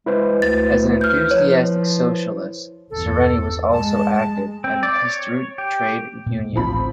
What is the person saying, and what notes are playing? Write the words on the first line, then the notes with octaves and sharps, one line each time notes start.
As an enthusiastic socialist, Sereni was also active in the Histadrut trade union.
G#3 E4 B4 C5
D2 A6
F6 G6
F3 C#5
G1 E2 A4
G#3 A5
C4
D5
C#5
G4
A#2
A1 D2 F3 C4 B5